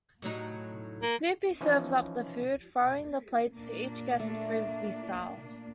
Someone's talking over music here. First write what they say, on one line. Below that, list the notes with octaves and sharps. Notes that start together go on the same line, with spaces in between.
Snoopy serves up the food, throwing the plates to each guest Frisbee-style.
A2 F#3 D#4
A#3
E3 F3 C#4 D#4
A#2 A#3 D4
A3